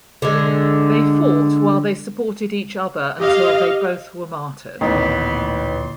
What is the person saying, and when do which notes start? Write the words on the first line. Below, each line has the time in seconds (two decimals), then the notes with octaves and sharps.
They fought while they supported each other until they both were martyred.
0.22 D3 G#3
3.20 G4 D#5 F5
4.81 A1 D2 A#2 D#3 B3 C6